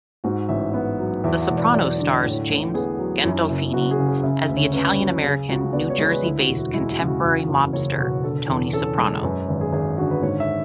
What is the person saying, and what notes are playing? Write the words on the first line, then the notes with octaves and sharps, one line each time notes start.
"The Sopranos" stars James Gandolfini as the Italian-American New Jersey-based contemporary mobster Tony Soprano.
G#2 F#4
A1 E5
B3
F#3
E2 E5
F#5
E1
D5
F#3 D5
D3
A2 C#5
A1
B3 G#4
F#3
F#2 E4
F#1
F#1 F#4
G#4
C#3
G#4
C#3 E5
E5
D2
C#5
C#4 B4
F#3
C#3 G#4
C#2 F#4
B3 D5
C#5
G#3
B4
D2 E4
F#4
E1
F#4
G#3 E4
F#4
C#3
F#4
E2 F#4
F#1
F#1 C#5
B2 F#4
D3 A4
E2
C#4 A4
G#3
F#2 B4
G#1 B4
G#4
G#1 G#4
D3 F#4
B4
G#2 C#5
E5